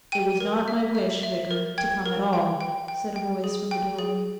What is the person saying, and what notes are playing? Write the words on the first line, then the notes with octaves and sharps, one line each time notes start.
'It was not my wish, Vicar, to come at all,' said a voice from the doorway.
G5 D#7
A#4
E5
E5
E5
A#4
G5 G#6
A#4
G5
G5
G5
G5
G#4
G5
G#4